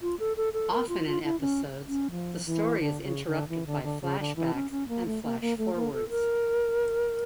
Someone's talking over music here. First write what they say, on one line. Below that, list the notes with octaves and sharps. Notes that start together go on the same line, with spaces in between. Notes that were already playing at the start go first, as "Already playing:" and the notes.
Often in episodes, the story is interrupted by flashbacks and flash-forwards.
F4
A4
A4
A4
A#4
F4
F4
E4
C#4
C#4
F3
E3
D3
C#3
D3
E3
D3
D3
C#3
D3
E3
C#4
C#4
A#3
A3
A#3
A#3
A3
A#3
A4
A#4